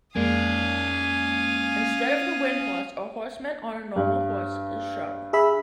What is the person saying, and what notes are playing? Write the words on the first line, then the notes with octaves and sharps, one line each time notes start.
Instead of the Wind Horse, a horseman on a normal horse is shown.
F2 G#3 A#3 C#4 D5 F5 G#5 D#6
G2
G#4 E5 B5